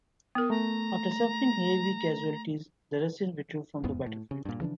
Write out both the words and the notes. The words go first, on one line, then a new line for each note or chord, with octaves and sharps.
After suffering heavy casualties, the Russians withdrew from the battlefield.
B3 A#4 D#6
A3 A#5
F1 E2 G#2 B3
A2
C#3
G2 A#2
C#3 E3 F3 D4